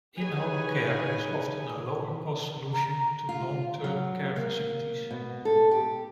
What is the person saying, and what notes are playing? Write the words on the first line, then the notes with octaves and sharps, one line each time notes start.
In-Home Care is often a lower cost solution to long-term care facilities.
D#4 G4 G#4 B4 C#5 G#5
A#5
F4
F#3
A#3
B2
A4
G4